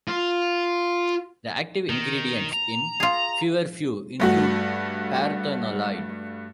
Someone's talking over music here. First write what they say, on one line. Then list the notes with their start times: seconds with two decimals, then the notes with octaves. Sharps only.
The active ingredients in feverfew include parthenolide.
0.08 F4
1.90 D#3
2.53 A#5
3.00 F4 G#4
4.20 G2 A3 F#4